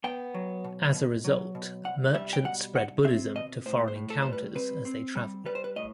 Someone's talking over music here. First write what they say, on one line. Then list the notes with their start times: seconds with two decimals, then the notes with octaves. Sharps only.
As a result, Merchants spread Buddhism to foreign encounters as they traveled.
0.04 B3 G5
0.34 F#3
0.64 B2
0.94 B2
1.24 F#3
1.55 B2
1.84 C2 F#5
2.15 G3 E5
2.33 G5
2.44 B2 F#5
2.75 C2 F#5
3.04 C4 E5
3.35 B2 D#5
3.66 A2 C5
3.88 C5
3.95 A2
4.10 A4
4.22 G3 C5
4.33 B4
4.55 C4 B4
4.85 C4
5.16 G3
5.46 G3 B4
5.55 C5
5.64 B4
5.76 A2 D#5